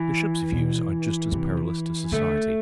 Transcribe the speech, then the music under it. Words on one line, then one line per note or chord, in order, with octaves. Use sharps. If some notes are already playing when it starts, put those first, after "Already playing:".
The Bishop's views are just as perilous to society.
Already playing: E3
B2
C3
D3 A3